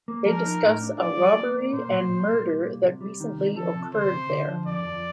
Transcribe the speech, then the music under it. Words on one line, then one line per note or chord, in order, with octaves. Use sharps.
They discuss a robbery and murder that recently occurred there.
A#3
F3 A#4
D#4
A2
D4
F4 D5
G3
A#3
A#3
A#2 C5
A#2
A#2
C2
G3
A#2
C3
G3
D#3
C3
F3 A4
C3
D2 C5
C3
D3
F3
F2 D5
F2